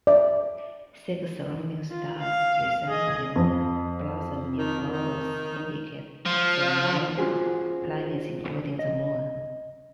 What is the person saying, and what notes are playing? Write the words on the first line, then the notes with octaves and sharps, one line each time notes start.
Six surrounding stars, resembling blossoming flowers, indicate the known planets including the Moon.
D5 E5
F4
F5
G#4 D#5
F2
D#3
D#3
F3
C#4 F4 F#4 G#4 C5
D#5